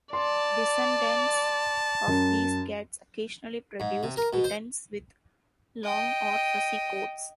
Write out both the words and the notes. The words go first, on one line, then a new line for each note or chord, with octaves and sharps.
Descendants of these cats occasionally produced kittens with long or fuzzy coats.
D5 A5 C6
F#2
G#2
C3
A#4
B2
C5
D#5 G5